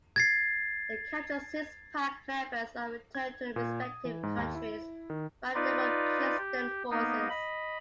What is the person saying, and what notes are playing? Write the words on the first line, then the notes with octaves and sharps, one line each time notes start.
The captured Six Pack members are returned to their respective countries by Rumekistan forces.
G#6 A6 C7
G#6
A#2
D#6
E3
G#2
D#2
E4
D#3
D#4 F4 B4 D5
G4
A#3 B3 D#4
D#5 B5